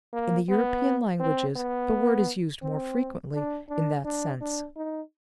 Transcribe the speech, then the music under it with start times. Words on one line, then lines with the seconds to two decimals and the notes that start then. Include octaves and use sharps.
In the European languages the word is used more frequently in that sense.
0.13 A#3
0.49 B3
1.20 C4
1.56 B3
2.62 C4
3.34 D4
3.69 D4
4.05 D4
4.41 D4
4.76 D#4